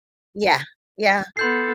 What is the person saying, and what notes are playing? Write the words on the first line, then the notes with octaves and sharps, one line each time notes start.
Yeah. Yeah.
B3 A4 C6 G6 C7